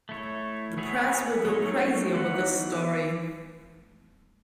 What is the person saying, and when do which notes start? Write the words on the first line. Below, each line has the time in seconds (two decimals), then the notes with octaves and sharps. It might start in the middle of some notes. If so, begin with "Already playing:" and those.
The press will go crazy over this story.
0.09 A3 E4 A4 C#5
0.77 B3 E4 G#4 C#5
1.45 F#3 A3 D#4 A4 C#5
2.14 E3 B3 D#4 F#4 C#5